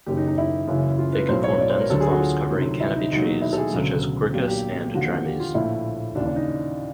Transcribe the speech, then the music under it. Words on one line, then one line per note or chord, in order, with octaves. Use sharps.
They can form dense clumps covering canopy trees such as "Quercus" and "Drimys".
F#1 F#2 D#3 G4
D#4
D#4
E4
F#1 F#2 C#3 E3
F4
B4
B1 A2 F#3 C5
C#5
D5
C5
A#4
D2 D3 F#3 A4
G#4
F#4
F4
D2 C3 D#3 F#3
E4
D#4
E1 D#2 D#3 F#3 D#4
D#4
E4
A4
G#4
E1 D2 C#3 F#3
B1 A#2 F#3 G4
G4
D#2 D3 F3 F#4
G4
F4
A#1 A2 F3 E4
D#2 C#3 E3 D4
D4
D#4